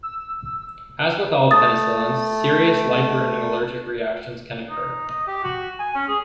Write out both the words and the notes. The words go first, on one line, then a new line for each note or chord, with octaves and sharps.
As with all penicillins, serious life-threatening allergic reactions can occur.
E6
A3 D#6 A6
D#4
D#5
G4
F#4
G#5
C#4
G#4